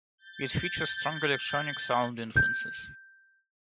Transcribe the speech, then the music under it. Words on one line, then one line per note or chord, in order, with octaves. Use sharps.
It features strong electronic sound influences.
G6 A6
G6